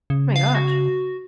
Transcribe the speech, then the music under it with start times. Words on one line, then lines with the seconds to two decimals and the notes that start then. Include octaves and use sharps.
My gosh.
0.10 C#3
0.36 F5
0.55 F#4